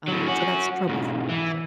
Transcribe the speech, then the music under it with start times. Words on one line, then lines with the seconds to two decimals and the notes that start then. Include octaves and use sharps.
uh, so that's troublesome for sure.
0.08 A2 F#3
0.28 C#4 F#4
0.89 B1 G#2
1.29 E3